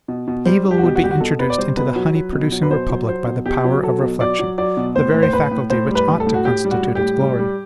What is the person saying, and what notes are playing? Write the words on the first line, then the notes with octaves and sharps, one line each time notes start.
Evil would be introduced into the honey-producing republic by the power of reflection,--the very faculty which ought to constitute its glory.
B2
B2
G3 C5
G3
G4
F#4
B2 G4
F#4
G3 G4
F#4
B2 A4
B2 B4
D5
G3 C5
B2 B4
F#3
F#3
B2
F#3
B4
B2 C5
F#3
F#3 C5
B2
B2 G4
F#3
F#3 A4
B2
F#3 D5
F#3
F#3 D5
B2
A2 C5
A2
C5
A2 B4
A2
A2 C5
G3
B4
A2
A4
A2
F#4
A2 G4
G3
F#4
G3
G4
A2
G3
G3